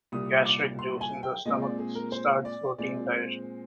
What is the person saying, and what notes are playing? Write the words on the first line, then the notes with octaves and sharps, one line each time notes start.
Gastric juice in the stomach starts protein digestion.
C2 A#2 G3 D#6
D6
C6
G#5
G5
A#2 G#3 C4 D#5
D5
G#4
A#4
C5
D5
A#2 G#3 C4 D5
C5